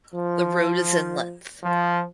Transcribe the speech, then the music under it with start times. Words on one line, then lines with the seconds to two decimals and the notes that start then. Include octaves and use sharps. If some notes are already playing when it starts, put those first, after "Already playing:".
The road is in length.
0.15 F3
1.64 F3